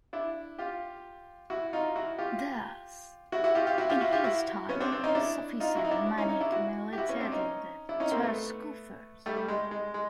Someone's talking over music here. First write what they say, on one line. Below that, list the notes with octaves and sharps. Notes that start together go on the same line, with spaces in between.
Thus, in his time, sufficient money accumulated in the Church coffers.
D4 E4
F4 G4
E4 F#4
D#4 F4
E4 F#4
F4 G4
E4 F#4
E4 F#4
F4 G4
F4 G4
E4 F#4
F4 G4
E4 F#4
F4 G4
E4 F#4
B3 C#4
C4 D4
C4 D4
C#4 D#4
D4 E4
D#4 F4
E4 F#4
D#4
D4 E4
D4 E4
C#4 D#4
C#4 D#4
D4 E4
E4 F#4
G4
E4 F#4
B3 C#4
C4 D4
C#4 D#4
D4 E4
C#4 D#4
A#3 C4
A3 B3
G3 A3
G3
G#3
G#3
G#3